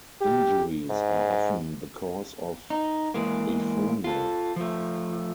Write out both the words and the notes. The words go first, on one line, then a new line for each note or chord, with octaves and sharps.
Injuries are often the cause of aphonia.
G4
G#2
D#4
E3 G#3 A#3
F4 A4
F3 A3